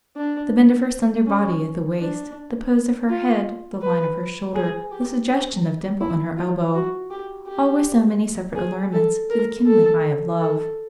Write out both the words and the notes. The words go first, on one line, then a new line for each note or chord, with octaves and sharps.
The bend of her slender body at the waist, the pose of her head, the line of her shoulder, the suggestion of dimple in her elbow--all were so many separate allurements to the kindling eye of love.
D4
C#4
D4
F4
B4
G#4
G4
E4
F4
F#4
G4
G4
G#4
A4
A#4
A4
A4